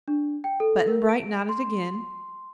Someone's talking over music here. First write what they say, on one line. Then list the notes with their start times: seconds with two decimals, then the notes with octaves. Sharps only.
Button-Bright nodded again.
0.08 D4
0.44 G5
0.60 A4
0.88 A#4
1.09 D7
1.49 C6